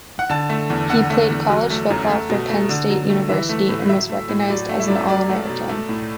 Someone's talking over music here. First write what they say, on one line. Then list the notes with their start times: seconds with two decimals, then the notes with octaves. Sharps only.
He played college football for Penn State University, and was recognized as an All-American.
0.19 F#5
0.30 D3 A5
0.49 A3
0.70 E2
0.90 D3 F#5
1.10 A3
1.30 E2
1.50 F#3
1.70 A3
1.90 F#2
2.09 A3
2.30 B2
2.50 A3
2.69 D3
2.90 F#3
3.10 A3
3.29 E3 E5
3.49 A3
3.69 A2
3.89 F#3 E5
4.09 A3
4.29 A2
4.50 F#3 D5
4.69 A3
4.80 E5
4.88 F#2 D5
4.95 E5
5.09 F#3 D5
5.29 A3
5.49 B2
5.69 A3
5.89 A2